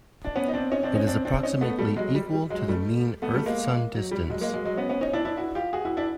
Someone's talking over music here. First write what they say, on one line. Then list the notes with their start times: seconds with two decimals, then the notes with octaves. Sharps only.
It is approximately equal to the mean Earth-Sun distance.
0.25 D4
0.36 B3 C#4
0.48 D#4
0.53 C4 D4
0.71 C#4 D#4
0.83 C4 D4
0.95 C#4 D#4
1.07 C4 D4
1.25 C4 D4
1.43 C#4 D#4
1.61 A3 B3
1.79 G3 A3
1.96 F#3 G#3
2.15 G3
2.33 G3
2.50 F#3 G#3
2.68 G3 A3
3.22 A3 B3
3.34 G3 A3
3.46 G#3 A#3
3.94 F#3
4.11 G3
4.30 F#3 G#3
4.41 G#3 A#3
4.54 F#3 G#3
4.65 F#3 G#3
4.77 B3 C#4
4.89 B3 C#4
5.01 C#4 D#4
5.13 D4 E4
5.25 D4 E4
5.37 E4 F#4
5.55 F4 G4
5.73 F#4 G#4
5.85 E4 F#4
5.97 D4 E4